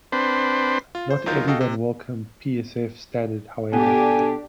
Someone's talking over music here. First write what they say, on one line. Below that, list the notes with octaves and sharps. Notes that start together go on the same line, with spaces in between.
Not everyone welcomed the PsF standard, however.
C4 D4 B4 C5
F4
C5
E2 F#3 D#4 F4 A#4 G6
F#4 A4 D#5 F5 G5
C3
B2 D4 G4 A4 G#5